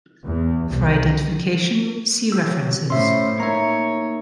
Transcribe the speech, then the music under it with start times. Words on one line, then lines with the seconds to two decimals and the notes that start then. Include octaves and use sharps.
For identification see references.
0.23 E2
0.69 C2
2.32 F#3 G4 E6
2.90 A2 C#4 C5 E5 C6
3.40 A#3 D#4 C#5 E5 A#5